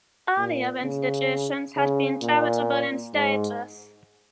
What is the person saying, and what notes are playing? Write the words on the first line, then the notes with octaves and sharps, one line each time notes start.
Earlier institutions had been charitable in status.
A#2
C#3
C#3
A#2
G#2